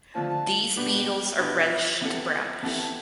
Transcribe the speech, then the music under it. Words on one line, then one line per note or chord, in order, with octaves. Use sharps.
These beetles are reddish to brownish.
D3 F3 A3 C4 F4 A5
B2 B3 D4 G4 B4 G5
B2 B3 D4 G4 B4
C3 E3 B3 E4 A4
C3 E3 B3 E4 A4 A5